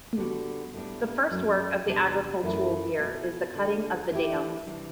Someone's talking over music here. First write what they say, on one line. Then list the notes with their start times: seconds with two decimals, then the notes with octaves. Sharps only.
The first work of the agricultural year is the cutting of the dams.
0.17 D3 G3 B3 F#4
0.73 A2 G3 B3 D4
1.30 F#2 F#3 A3
1.86 E2 C3 G3 B3 D4
2.42 F#2 E3 A3 E4
2.99 B2 A3 E4
3.54 D2 D3 G3
4.11 E3 A3 E4 G4
4.66 C3 E3 G3 D4